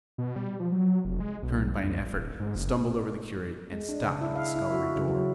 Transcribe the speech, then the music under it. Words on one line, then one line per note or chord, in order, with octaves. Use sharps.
I turned by an effort, stumbled over the curate, and stopped at the scullery door.
B2
G3
F3
F#3
F1
G#3
B1
F2
A1
D1
G#2
F#1
G#3
D4
C#3
E4
F5
E4
F#4
C#3
F#3